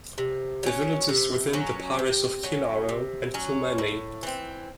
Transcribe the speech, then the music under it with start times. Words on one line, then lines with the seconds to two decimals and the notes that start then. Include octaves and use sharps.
The village is within the parish of Killarow and Kilmeny.
0.18 C3
0.63 F#3 C#4
1.09 C3
1.53 F#3 C#4
1.99 C3
2.43 F#3 C#4
2.89 C3
3.34 F#3 C#4
3.78 A2
4.23 E3 C4